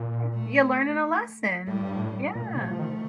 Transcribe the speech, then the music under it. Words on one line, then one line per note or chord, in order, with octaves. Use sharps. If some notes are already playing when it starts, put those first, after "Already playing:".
Yeah, you're learning a lesson, yeah.
Already playing: A#2
A3
A2 G3
G2
A2
A#2 A3
C3
F3
D#3